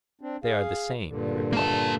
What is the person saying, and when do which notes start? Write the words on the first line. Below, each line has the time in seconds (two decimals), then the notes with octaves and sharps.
They are the same, he replied.
0.21 C4 D4
0.44 G#4 F5
1.07 G2 A#2 D3
1.53 A#3 A5